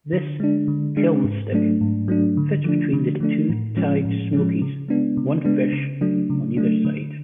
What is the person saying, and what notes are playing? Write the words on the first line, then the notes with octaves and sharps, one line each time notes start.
This "kiln stick" fits between the two tied smokies, one fish on either side.
D3
G#3 D4
D3
G#3 D4
G#2
F#3 A3 D4
G#2
F#3 A3 D4
D3
F3 A3 D4
D3
F3 A3 D4
A2
F3 G#3 C#4
A2
F3 G#3 C#4
C#3
G#3 B3 D4
C#3
G#3 B3 D4
C#3
F#3 A3 D4
C#3
F#3 A3 D4
D3